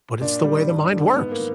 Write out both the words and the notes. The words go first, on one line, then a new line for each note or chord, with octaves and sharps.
But it's the way the mind works.
A#2 D4
G3
G2
D3 G3
G#2 B3
A#3
D#3